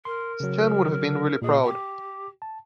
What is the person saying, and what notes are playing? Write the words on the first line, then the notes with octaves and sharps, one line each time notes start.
Stan would have been really proud.
A#4 C6
C#3 F#3
A#2 G#4 D#5
G4 G5
A5